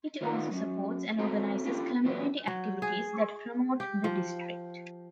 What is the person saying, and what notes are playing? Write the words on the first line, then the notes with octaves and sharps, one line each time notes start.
It also supports and organizes community activities that promote the District.
A2 D#3 B3 D#4 F4 F#5
F#3 C#4
C4 F#4 A4 E5 A#5
C#4 D4 F4 G4 A4
A#2 E3 F#3 G3 B3 E4
F#3
G#4
G4
F3